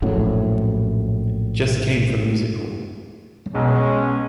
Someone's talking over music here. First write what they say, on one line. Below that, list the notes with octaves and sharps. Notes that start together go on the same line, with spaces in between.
Just came from Music Hall.
A#1 F#2 A2 F#3
B1 G#3 B3 C#4